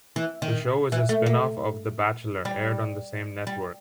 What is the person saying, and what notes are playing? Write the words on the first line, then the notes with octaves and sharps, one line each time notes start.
The show is a spin-off of "The Bachelor" aired on the same network.
E3
D#3
E3
A3
A#3
G3
G3